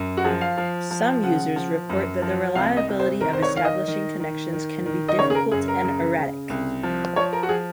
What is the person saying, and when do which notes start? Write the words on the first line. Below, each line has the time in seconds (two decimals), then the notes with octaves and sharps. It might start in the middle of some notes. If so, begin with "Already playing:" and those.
Some users report that the reliability of establishing connections can be difficult and erratic.
Already playing: F#2
0.17 F#4
0.24 F3 G#4
0.41 F5
0.57 F3
0.91 F3
1.23 C#3 F#5
1.56 F3
1.89 F#2
2.22 F3
2.55 C2 F5
2.77 D#5
2.88 C2
3.00 C5
3.21 D#3 A#4
3.33 C5
3.43 C#5
3.54 D#3 F5
3.65 D#5
3.87 D#3
4.20 D#3
4.53 D#3
4.86 D#3
5.09 D#5
5.19 C#3 C#5
5.30 G#4
5.35 A#4
5.51 F#2 G#4
5.68 A#4
5.84 C#3
6.18 C#3
6.50 C2
6.83 F3
7.16 F3 C#5
7.33 A#4
7.43 F#4
7.49 F3 G#4